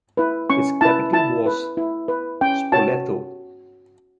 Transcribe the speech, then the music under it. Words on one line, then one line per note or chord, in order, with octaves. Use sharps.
Its capital was Spoleto.
E4 B4
C#4 C#6
E4 B4 A5
E4 A5
B4
E4
B4
C#4 G5
F#4 C#5 A5